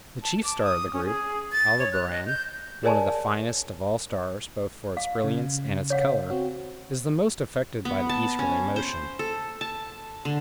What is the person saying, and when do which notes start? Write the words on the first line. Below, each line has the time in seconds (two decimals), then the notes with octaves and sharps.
The chief star of the group, Aldebaran, one of the finest of all stars both for its brilliance and its color, is the most affected by the easterly motion.
0.23 A5
0.43 D6
0.63 D#6
0.93 C#4
1.05 G#4
1.52 A6
1.79 C#5
1.92 F#6
2.11 D#5
2.26 G6
2.83 G#4 A#4 C#5 D5 G#5 A5
4.97 F5
5.24 C#3
5.90 C#5 F5 F#5
6.30 C4 F#4
7.85 B3
8.09 A5
8.39 C#4
8.76 C5
9.19 A4
9.61 A5
10.25 D3